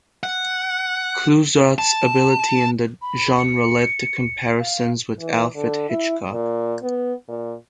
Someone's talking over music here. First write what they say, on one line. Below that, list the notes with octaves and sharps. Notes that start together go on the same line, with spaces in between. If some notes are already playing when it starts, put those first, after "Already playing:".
Clouzot's ability in the genre led to comparisons with Alfred Hitchcock.
F#5
A5
B5
C#7
F5
E3
D3
E4
A#2
B3
A#2